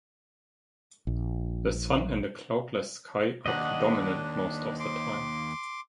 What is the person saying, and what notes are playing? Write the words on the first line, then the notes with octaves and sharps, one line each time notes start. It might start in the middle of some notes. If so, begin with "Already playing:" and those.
The sun and a cloudless sky are predominant most of the time.
A#1
D#2 D4 D#5 F#5
C6 D6